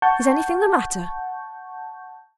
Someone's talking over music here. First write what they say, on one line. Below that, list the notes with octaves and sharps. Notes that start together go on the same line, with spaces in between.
Is anything the matter?'
F#5 A5 C#6 G6